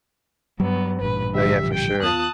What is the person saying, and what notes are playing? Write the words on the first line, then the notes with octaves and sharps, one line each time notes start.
No, yeah, for sure.
G2 F#3 G3 B3
A1 G2 A#2 B4
D3 F3 G4 E5
G5
D#2 B3 F4 A5 D#6 F#6